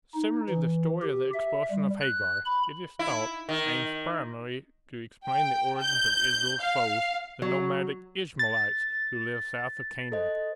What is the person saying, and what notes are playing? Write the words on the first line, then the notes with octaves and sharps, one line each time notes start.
Similarly the story of the expulsion of Hagar, it is thought, aims primarily to explain the origin of Israel's foes, the nomadic Ishmaelites, who lived south of Canaan.
D#4
E3
G4
E5
G3
F#6
B5
E4
D#3
G5
G6
F5
F#3
A6
A4 C5 D#5